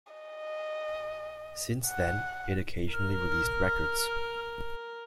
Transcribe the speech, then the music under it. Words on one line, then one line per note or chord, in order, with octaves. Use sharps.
Since then, it occasionally released records.
D#5
F#5
A#4 F6